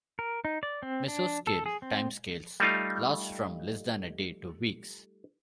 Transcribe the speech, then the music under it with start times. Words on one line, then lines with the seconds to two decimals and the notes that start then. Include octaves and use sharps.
Mesoscale timescales last from less than a day to weeks.
0.19 A#4
0.45 D#4
0.63 D5
0.83 C4
1.08 D4
1.47 A4
1.66 G#4
1.82 C4
2.60 G3 A3 D#4 F4